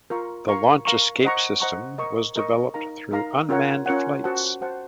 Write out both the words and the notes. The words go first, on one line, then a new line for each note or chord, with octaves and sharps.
The launch escape system was developed through unmanned flights.
F4 A#4 F5 A#5 C#6
A#4 F5 A#5 C#6
A#4 F5 A#5 C#6
C5 D#5 F#5 A#5 C#6
C5 D#5 F#5 A#5 C#6
A#4 D#5 A#5 C#6
A#4 D#5 A#5 C#6
D#4 A#4 F5 A#5
D#4 A#4 F5 A#5
C#4 F4 A#4 C#5 F#5
C#4 F4 A#4 C#5 F#5
F#4 C5 F#5 A5
F#4 C5 F#5 A5